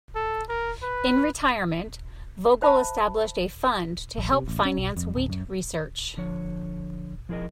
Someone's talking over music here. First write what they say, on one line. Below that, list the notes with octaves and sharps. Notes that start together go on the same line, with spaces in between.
In retirement, Vogel established a fund to help finance wheat research.
A4
A#4
B4
C5 E5 A5 B5
A1
C3
A1
C#4
B1
F2
D1
F#2
D3 F3 C#5
F3 E4 G#4 A#4 D#5